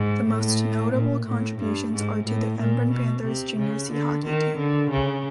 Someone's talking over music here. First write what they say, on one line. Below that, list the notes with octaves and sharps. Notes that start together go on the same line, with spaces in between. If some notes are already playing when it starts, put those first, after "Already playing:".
The most notable contributions are to the Embrun Panthers Junior C hockey team.
Already playing: G#2
A2
A#2
A2
G2
G#2
A2
A#2
B2
C3
C#3
D3
D#3
D3
C#3